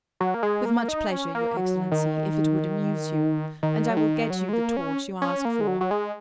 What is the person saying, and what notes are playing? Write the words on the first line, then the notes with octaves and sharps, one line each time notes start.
With much pleasure, your excellency, if it would amuse you; and I will get you the torch you ask for.
F#3
A#3
G#3
A#3
D#4
C#4
A#3
F#3
D#3
D#3
F#3
D#3
F#3
G#3
A#3
C#4
C#4
A#3
G#3
F#3
F#3
G#3